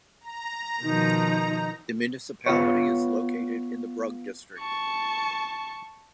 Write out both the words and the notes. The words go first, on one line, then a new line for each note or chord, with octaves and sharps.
The municipality is located in the Brugg district.
A#5
B2 D#3 F3 D#4 G6
B3 F4 B4 C#5
A5 C#6